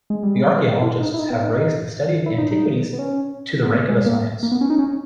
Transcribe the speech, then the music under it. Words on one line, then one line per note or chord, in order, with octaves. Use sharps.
The archaeologists have raised the study of antiquities to the rank of a science.
G#3
G3
G#3
E4
D#4
E4
D#4
B3
D#4
D#4
E4
D#4
D#4
B3
C#4
B3
A#3
G#3
A#3
A#3
B3
C#4
D#4
C#4